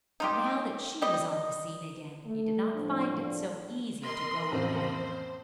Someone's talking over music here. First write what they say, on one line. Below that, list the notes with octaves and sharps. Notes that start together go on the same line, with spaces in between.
But now that she was on the scene again, he did not find it so easy to go away.
D#4 F4 G4
G3 D#5
A3
A2 F3 D4
A#4 D#5 B5 C6
A1 F2 A#3 C5